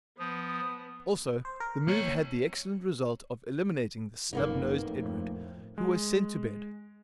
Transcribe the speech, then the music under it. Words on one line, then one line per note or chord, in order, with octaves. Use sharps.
Also, the move had the excellent result of eliminating the snub-nosed Edward, who was sent to bed.
F3 B3 D#6
C5
A#4
A#3 C#5
F#1 F2 A#3 B3 D#4
F2 A2
G#3